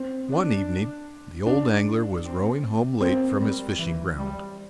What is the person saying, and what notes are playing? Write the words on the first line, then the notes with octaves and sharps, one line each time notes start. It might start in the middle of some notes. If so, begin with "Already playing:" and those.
One evening the old angler was rowing home late from his fishing-ground.
Already playing: C4
D4
D4
C4
A#3 C4
G3
E3
G3